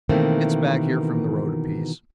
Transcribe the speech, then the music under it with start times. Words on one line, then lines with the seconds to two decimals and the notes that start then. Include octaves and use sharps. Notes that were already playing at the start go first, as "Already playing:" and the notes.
It's back here from the road a piece.
0.09 B2 D#3 E3 A3 A#3 C4